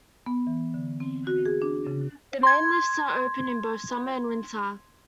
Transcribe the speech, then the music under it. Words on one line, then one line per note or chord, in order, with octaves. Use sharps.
The main lifts are open in both summer and winter.
B3
E3
D3
C4
F#4
G#4
D4
C#3
C6 G#6